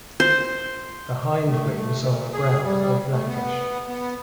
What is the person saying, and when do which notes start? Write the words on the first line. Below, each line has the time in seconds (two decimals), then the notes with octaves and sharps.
The hindwings are brown or blackish.
0.20 C5
1.48 A3
1.99 A#2
2.33 G#4
2.65 G3
3.12 A3
3.28 B3
3.88 B3